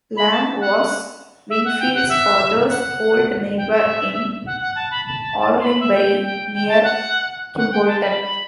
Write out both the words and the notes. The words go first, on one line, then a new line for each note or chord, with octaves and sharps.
Lane was Wingfield's father's old neighbour in Orlingbury, near Kimbolton.
B5
A5
F#5
E5
F#5
G5
F#5
E5
F#5
G5
E5
F#5
F#5
A5
B5
A5
C6
B5
E5
G5
G5
G5
A5
F#5
F#5
G5
A5
B5